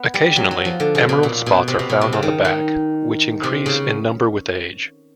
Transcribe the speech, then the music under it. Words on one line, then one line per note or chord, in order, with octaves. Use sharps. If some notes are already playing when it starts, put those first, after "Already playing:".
Occasionally, emerald spots are found on the back, which increase in number with age.
Already playing: B3
G3
F#3
F#3
F3
D3
C#3
B2
A#2
B2
C3
B2
B2
C3
C#3
D#3
D#3
C3
C#3